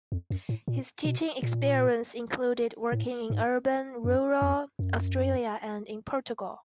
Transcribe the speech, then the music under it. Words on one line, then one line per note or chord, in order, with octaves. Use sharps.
His teaching experience included working in urban, rural Australia and in Portugal.
F2
F#2
A2
A#2
B2
A#2
A2
G#2
F#2
F2
F#2